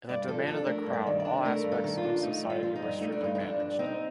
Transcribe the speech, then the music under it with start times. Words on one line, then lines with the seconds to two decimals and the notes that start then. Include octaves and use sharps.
In the Domain of the Crown all aspects of society were strictly managed.
0.09 G2 D5
0.28 F3 A4
0.47 D4 A4
0.66 A3 A#4
0.86 G2
0.93 D5
1.07 D#3
1.20 D5
1.25 D4
1.45 A3 A#4
1.64 G2
1.72 A4
1.84 D#3
1.97 F4
2.03 D4
2.23 A3 D#4
2.43 G2
2.50 F4
2.63 F3
2.76 D#4
2.82 G2
3.01 A3 D#4
3.12 D4
3.21 G2 D#4
3.35 D#4
3.40 F3 D4
3.60 G2
3.79 C4 D#4